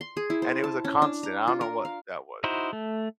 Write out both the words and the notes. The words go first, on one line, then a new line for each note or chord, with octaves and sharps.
And it was a constant, I don't know what that was,
C6
G#4
E4
C5
A5
C#4
D4
A#5
F4
A#4
F5
D#4 E4 F#4 C5
A3